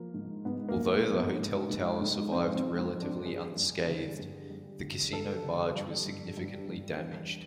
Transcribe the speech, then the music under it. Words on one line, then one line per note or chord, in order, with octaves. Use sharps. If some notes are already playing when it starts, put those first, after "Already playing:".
Although the hotel tower survived relatively unscathed, the casino barge was significantly damaged.
Already playing: F3 A#3
G#2
G#2 B3
A#3
G#2
A#3
F3
B3
G#2
G#2
G#2
F3 C4
C4
F3
C4
F3
D4
G2 G#4
G2
D3
G2
G2
D3
G2 A4
D3
G2
G2
G2
G2
E2